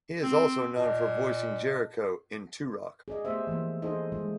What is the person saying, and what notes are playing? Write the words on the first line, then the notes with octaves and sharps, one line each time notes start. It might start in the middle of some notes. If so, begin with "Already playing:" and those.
He is also known for voicing Jericho in Turok.
C4
A#2 D#5 A5
G#4 D5 D#5
A3 B3 G4 C5 E5
E3 F3 A#3
D#4 E4 G#4 A4 C5 D#5
D#3 G3 G#3 F4